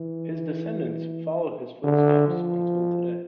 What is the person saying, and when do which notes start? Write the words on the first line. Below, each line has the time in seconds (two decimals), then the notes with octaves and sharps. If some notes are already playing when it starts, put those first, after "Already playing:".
His descendants follow his footsteps until today.
Already playing: E3
1.84 D3
2.27 F3